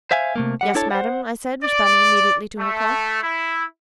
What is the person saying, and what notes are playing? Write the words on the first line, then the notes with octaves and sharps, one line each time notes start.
"Yes, madam," I said, responding immediately to her call.
C5 E5 F5 G#5
C3 A3 A#3
G3 F#5
D4 E4 A4 C#5 A5
C5 F#5
D5
A3
E4